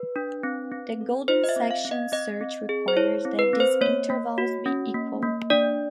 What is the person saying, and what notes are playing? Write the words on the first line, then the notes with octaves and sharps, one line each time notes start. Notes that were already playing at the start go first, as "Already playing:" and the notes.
The golden-section search requires that these intervals be equal.
Already playing: B4
D4
C4
C4
A4
F4 C5
D#5
E5
C4
F5
C4
D#5
C4 D#5
C4
G#4
C5
E4 C#5
C4
B4
C4
C5
A#3 C#5
A#3
F#4
C#4
A#3
A#3
D4 D5